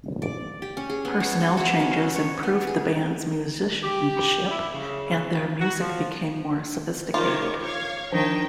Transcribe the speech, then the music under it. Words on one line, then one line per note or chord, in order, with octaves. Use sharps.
Personnel changes improved the band's musicianship and their music became more sophisticated.
D5
G4
C#4
G#4
B3
C#5
B3
F#4
C#4
C#5
B3
G#4
G4
E4
C#3
F#4
F3
D#3 F4 C5 C#5 D6
C#5 F5 G#6
D#3 F3 D4 G5